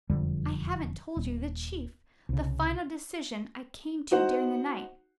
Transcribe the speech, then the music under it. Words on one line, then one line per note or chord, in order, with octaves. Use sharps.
I haven't told you the chief, the final decision I came to during the night.
E1 F2 D3 G3
D#1
C2 C#3
D#4 F#4 C5 F#5